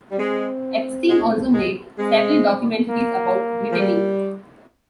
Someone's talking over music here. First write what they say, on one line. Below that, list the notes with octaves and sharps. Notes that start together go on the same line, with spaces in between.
Epstein also made several documentaries about Brittany.
G3
G#3 C4
G#3
G#3
G#3 C4
A#3
F3
G3